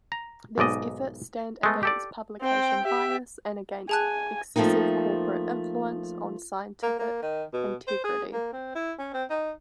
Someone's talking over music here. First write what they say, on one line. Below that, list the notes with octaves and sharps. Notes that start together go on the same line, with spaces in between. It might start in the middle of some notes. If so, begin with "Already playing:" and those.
These efforts stand against publication bias and against excessive corporate influence on scientific integrity.
A#5
B1 G#2 D5 D#5
G#3 A3 B3
G4 A4 D5
C4 G5
G4 E5
G#4 G#5 A5 F#6
F3 A3 A#3 C4 D#4
A#3
A#3
D#3
B2
C5
G#4
A#3
C4
E4
C#4
C4
D#4